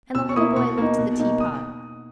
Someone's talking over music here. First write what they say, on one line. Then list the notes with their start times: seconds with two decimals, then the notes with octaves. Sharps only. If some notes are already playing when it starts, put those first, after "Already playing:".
And the little boy looked at the tea-pot.
0.15 B2 E6
0.29 C#6
0.36 A#3 E4 D#6
0.56 B2 C#6
0.78 A#3 D#4
0.98 B2
1.20 A#3 D#4
1.40 D#6